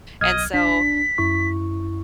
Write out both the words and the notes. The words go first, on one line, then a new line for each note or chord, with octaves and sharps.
and so,
B1 D#5 F6 G#6
A#1 D4 B6
F#2 E4 C#6